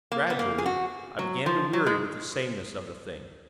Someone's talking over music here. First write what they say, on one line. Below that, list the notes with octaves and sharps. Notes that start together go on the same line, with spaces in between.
Gradually, I began to weary with the sameness of the thing.
A#3
B3
A#3
G#4
F#4
F#3
F3
F#3
G#3